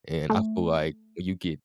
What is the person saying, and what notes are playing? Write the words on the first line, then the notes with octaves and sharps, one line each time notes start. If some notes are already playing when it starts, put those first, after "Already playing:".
and I feel like you get
A3